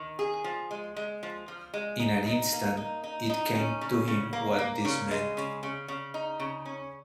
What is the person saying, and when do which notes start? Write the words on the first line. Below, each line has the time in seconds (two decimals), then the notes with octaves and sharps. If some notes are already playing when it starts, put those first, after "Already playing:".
In an instant it came to him what this meant.
Already playing: D#3
0.19 G#4
0.44 F3
0.71 G#3
0.97 G#3
1.23 F3
1.48 F3
1.74 G#3
1.99 D#4
2.26 D#4
2.52 A#3
2.77 D#4
3.04 D#4
3.30 D#4
3.55 C#4
3.81 C#3
4.08 C#3
4.33 A#3
4.58 A#3
4.85 C#3
5.11 G#3
5.37 C#3
5.63 C#3
5.88 C#3
6.14 D#4
6.40 C#3
6.65 C#4